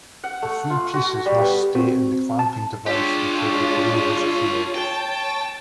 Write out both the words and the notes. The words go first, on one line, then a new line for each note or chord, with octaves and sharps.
The three pieces must stay in the clamping device until the glue has cured.
F#5
A3
F4
F#4
G3
B3
C4 F#4
A5
G#3 D4 F4 G4 A4 C#5
G5 A5